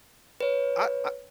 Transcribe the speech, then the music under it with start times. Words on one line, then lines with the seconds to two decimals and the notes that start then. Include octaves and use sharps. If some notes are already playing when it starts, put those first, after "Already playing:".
I I
0.40 B4 C#5